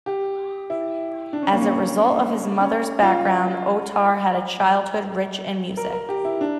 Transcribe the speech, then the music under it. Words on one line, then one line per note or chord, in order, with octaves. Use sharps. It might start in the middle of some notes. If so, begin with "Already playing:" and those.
As a result of his mother's background Otar had a childhood rich in music.
G4
E4
D4
C#4
A#3
C#4
C#4
F4
A#4
A#4
G4
E4
D4